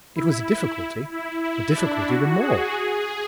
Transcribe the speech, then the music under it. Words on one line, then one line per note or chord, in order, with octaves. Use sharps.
It was a difficulty--a difficulty the more.
E4
E4
E4
D4
F#4
G#4
G#4